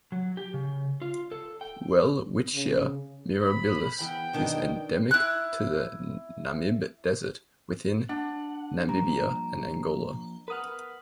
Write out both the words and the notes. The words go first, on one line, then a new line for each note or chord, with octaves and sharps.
"Welwitschia mirabilis" is endemic to the Namib desert within Namibia and Angola.
F#3
G4
C#3
F4
A4
G5
C#3
B5
E2 G5
B2 D#3 D4
E4 F#6
D4 F#5
F3 G3 A#3 A#5
A#4 B4 F#5 D#6 F6